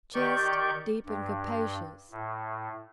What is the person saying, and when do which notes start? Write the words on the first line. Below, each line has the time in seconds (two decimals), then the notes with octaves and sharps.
CHEST--Deep and capacious.
0.14 D#3 G4 D5 C#6 G6
1.06 G2
2.12 A2